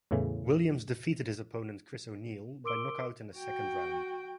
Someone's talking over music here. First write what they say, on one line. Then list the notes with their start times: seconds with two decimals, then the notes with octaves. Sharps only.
Williams defeated his opponent, Kris O'Neil, by knock-out in the second round.
0.11 E2 A2 C#3 E3
2.64 A#4 C6 D6 E6 D7 G7
3.37 F#4 G5